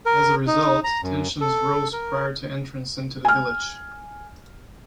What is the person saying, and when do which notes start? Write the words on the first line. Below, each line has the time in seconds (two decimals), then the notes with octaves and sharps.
As a result, tensions rose prior to entrance into the village.
0.06 A#4
0.47 D#4
0.84 A#5
1.03 F#2
1.41 A4
1.93 A#4
3.25 G#5 F6